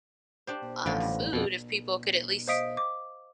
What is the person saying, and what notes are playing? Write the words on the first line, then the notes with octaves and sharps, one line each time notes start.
uh, food if people could at least
D4 G4 C5
A1 D3 F3 G5
G2
F2 B2
C5 D#5 F5 D#6 B6 D7
D6